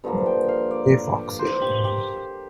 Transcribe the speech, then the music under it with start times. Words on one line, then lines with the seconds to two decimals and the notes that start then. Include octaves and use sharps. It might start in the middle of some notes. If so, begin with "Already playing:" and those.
Hey Foxy!
0.04 G2 D3 F3 A#3
0.26 G5
0.49 F5
0.71 D5
1.39 C5
1.61 G4
1.84 G4